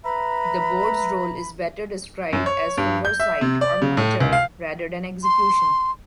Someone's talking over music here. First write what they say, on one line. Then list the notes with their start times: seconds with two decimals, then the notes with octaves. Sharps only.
The Board's role is better described as oversight or monitoring, rather than execution.
0.05 B4 E5 A#5 B5
2.33 F#2
2.46 C#5
2.77 G2
3.05 G6
3.20 E5
3.41 C3
3.61 D5
3.82 C#3
3.97 A2
4.21 C#2
4.33 F5
5.24 C6